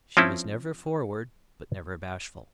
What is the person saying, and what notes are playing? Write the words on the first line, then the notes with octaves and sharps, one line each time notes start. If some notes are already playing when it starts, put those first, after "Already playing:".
She was never forward, but never bashful.
F3 C4 C#4 E4